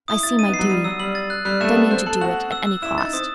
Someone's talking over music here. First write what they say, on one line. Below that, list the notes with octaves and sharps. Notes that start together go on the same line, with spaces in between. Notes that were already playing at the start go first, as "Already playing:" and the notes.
I see my duty and I mean to do it at any cost.
E4 D#6
E4 A6
D#4 D#7
B3
C7
F#3
G3 D#7
F#3 E6
G3 F#7
A6
F#6
G3 F#6
A3 E7
B3 E7
C4 F#6
A4 F#7
F#4 F#7
F#7
E6
E6
E4 E7
D#4 A6
C4 D#6